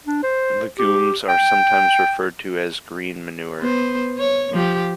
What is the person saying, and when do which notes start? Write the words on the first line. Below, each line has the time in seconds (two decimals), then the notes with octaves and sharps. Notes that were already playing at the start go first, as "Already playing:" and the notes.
Legumes are sometimes referred to as "green manure".
0.06 D4
0.23 C5
0.79 G4
1.29 G5
3.59 B3 C5
4.18 C#5
4.52 F3 G4